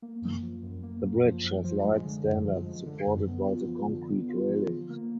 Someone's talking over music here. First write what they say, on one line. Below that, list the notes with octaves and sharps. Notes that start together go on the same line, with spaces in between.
The bridge has light standards supported by the concrete railings.
A#3
F#2
F3
F#2
A#3
F#2
F3
F#2
F3
G#3
D3
F#2
F3
G#3
D3
F#2
B3
F4
F3
D3
B3
F4
F3
D3
A#3